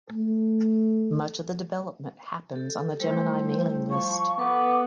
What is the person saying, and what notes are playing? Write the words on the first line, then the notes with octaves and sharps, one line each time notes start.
Much of the development happens on the Gemini mailing list.
A3
G4 A4
G3 A3 E4 C5
F3 C#6
B3 A4 B4 D6